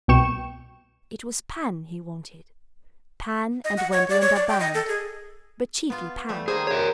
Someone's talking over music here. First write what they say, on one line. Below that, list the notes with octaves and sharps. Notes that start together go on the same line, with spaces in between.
It was Pan he wanted, Pan and Wendy and their band, but chiefly Pan.
C2 B2 G5 C#6 E7
D#5
F#5
C#5
D5
C#5
D5
G5
D#5
A4
G#4
B3 F4
G3 A3 G4
D#3 A#3 G#4 C5
A#4 C#5